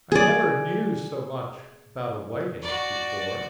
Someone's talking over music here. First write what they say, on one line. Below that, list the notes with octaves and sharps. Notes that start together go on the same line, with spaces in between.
I never knew so much about a whiting before.'
G#4 D5
F#4 D5